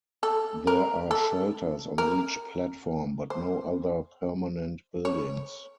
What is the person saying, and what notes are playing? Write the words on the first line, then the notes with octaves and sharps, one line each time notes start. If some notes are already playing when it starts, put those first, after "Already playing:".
There are shelters on each platform, but no other permanent buildings.
A4
A#4
A4
A#4
C5
C#5